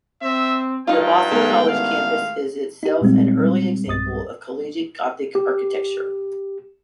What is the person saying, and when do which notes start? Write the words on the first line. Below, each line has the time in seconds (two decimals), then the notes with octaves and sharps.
The Boston College campus is itself an early example of Collegiate Gothic architecture.
0.22 C4 E5
0.87 G2 D#4 F4 G5
1.32 D#3 G#3 A3 B3 A#4
1.68 A1 F5
2.83 D#4 G4
3.01 A#2 G3 G#3 C4
3.39 G3
3.87 B1 G2 D#6 A6
5.35 G4